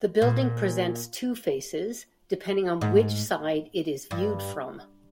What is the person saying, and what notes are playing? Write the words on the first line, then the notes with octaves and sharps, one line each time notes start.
The building presents two faces, depending on which side it is viewed from.
A#2
G#2
G2